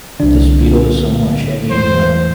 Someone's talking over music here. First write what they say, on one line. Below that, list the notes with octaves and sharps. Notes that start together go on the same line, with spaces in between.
This beetle is somewhat shaggy and black.
C2 D3 G3 C4 D4
E2 A2 E3 C5